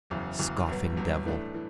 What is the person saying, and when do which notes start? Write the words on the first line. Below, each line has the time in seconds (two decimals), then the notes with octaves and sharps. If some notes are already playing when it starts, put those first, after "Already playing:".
Scoffing devil!
0.10 F#1 E2 C#3 F#3
0.39 F#1 E2 C#3 F#3
0.68 A1 G2 F#3 B3
0.97 A1 G2 F#3 B3
1.26 A2 E3 A3 D4
1.54 E3